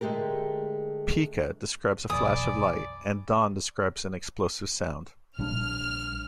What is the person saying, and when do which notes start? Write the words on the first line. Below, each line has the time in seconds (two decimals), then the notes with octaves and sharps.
"Pika" describes a flash of light and "don" describes an explosive sound.
0.01 D3 G#3 A3 G4 A#4
2.10 B1 F2 E3 D5 G#5 B5 D#6
5.39 A#1 G3 D4 F6